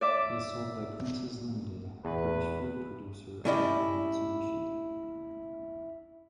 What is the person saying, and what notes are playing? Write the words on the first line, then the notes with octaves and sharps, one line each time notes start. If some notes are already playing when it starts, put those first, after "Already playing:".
It is sold by Princes Limited, a British food producer owned by Mitsubishi.
D5 E5 D6
E2 B4
A3 C#4 E4 G4 D5 D#5